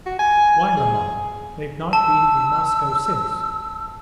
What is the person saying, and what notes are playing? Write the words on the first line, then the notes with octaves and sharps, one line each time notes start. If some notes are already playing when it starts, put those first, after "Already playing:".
Why, maman, they've not been in Moscow since!
F#4
G#5
G#4
A5 E6